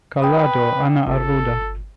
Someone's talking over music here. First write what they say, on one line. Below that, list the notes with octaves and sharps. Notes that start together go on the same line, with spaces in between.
Callado, Ana Arruda.
B4 G5 D#6
G1 A4